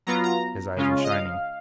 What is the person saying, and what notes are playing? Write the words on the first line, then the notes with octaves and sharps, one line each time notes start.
His eyes were shining.
F#3 B3 F4 A#5
A#5
C#3 G#3 C#4 F4
D#5
F5